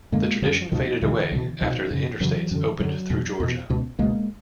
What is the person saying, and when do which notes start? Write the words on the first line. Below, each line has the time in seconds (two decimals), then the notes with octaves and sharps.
The tradition faded away after the interstates opened through Georgia.
0.12 F#2 D3 G#3 A#3
0.42 F#2 D3 F3 G3
0.72 C#2 B2 D#3 F3
1.02 C#2 B2 D3 E3
1.32 C2 B2
1.61 C2 B2 D#3 F3
1.91 F#2 C#3
2.20 F#2 C#3 E3 F#3
2.51 F#2 D3
2.80 F#2 E3 F#3
2.84 D3
3.10 E2 B2
3.40 E2 B2
3.70 C#2 B2
3.99 C#2 B2 G#3 A#3